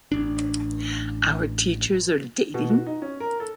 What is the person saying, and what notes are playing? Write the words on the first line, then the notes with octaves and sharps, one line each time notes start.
Our Teachers Are Dating!
A1 D4
B2
F#4
D#4
C#4
A#4
A4